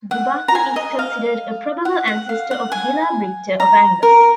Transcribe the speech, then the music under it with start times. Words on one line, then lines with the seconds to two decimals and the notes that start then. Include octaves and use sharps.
Dubacan is considered a probable ancestor of Gilla Brigte of Angus.
0.11 F#5
0.48 A#5
0.55 G#5
0.76 D#5
0.99 F5
1.85 F#5
2.08 F#5
2.29 F5
2.51 F#5
2.72 G#5
3.60 A#5
4.03 A#4